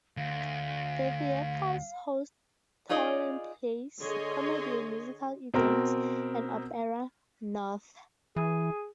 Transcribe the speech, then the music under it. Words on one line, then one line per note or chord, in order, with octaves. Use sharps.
The theatres host touring plays, comedy and musical events and Opera North.
D2 F5
D#4 F4 G#4 D5 D#5
D3 G#4 C#5 D#5 C6
B2 C4 A#4
E3 G#4